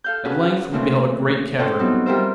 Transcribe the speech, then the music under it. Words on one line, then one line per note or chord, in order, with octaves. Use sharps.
At length we beheld a great cavern.
A4 F5 G6
C#4 F#4 G#4 B4 A5
A#2 C#3 E3 A3 C4
C#4 A4 C5 C#5 G5 A5
F#3 G3 B3 C4 D#4 E4
G3 E4 F4 A#4 C5 E5